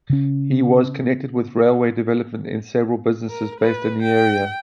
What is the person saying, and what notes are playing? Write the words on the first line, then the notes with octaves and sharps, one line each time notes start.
He was connected with railway development and several businesses based in the area.
C#3 C#4
A#4
B4
G5